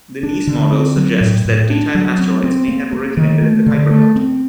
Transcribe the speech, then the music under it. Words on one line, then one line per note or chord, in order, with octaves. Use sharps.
The Nice model suggests that D-type asteroids may have originated in the Kuiper belt.
D4
D3
C4
F#3
A2
A2
D4
F#3
C4
C4
A#3
A#3
D#3
A3
D3
A3
C4